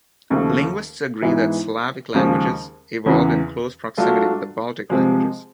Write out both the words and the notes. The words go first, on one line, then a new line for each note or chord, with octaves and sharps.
Linguists agree that Slavic languages evolved in close proximity with the Baltic languages.
D#2 C#3 F3 A3
G#2 E3 G#3 B3 E4
D#2 C#3 F3 G#3
E2 C#3 E3
F#3 A3 D4 F4
C3 F3 G#3